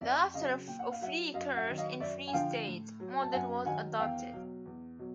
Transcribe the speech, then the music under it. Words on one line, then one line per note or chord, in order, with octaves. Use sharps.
Thereafter, a "free church in free state" model was adopted.
F2 D5 E5
C#3 F#3 D#5 F5
A#2 G5
F#5
F5
F#3 E5 F#5
F#2 D#5 F5
E5 F#5
D#3 F#3
D#5 F5
F#2 D5 E5
G#5
D3 F3 F5 G5
A2
F#3
A5
F#2 F#5 G#5
D#3 F#3 F#5 G#5
E2 F5 G5
B2 F#3
E2
B2 F#3